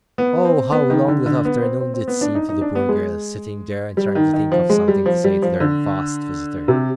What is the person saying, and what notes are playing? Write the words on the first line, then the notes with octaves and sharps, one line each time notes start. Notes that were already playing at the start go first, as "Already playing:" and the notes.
Oh, how long that afternoon did seem to the poor girls, sitting there and trying to think of something to say to their vast visitor!
B3
C4
B3
D#3
D3
D3
B3
C4
C4
C4
B3
D4
D#4
D#4
D4
B3
G#3
G3
D#3
D#3
F3
G#3
G3
F3
G3
F3
D3
C3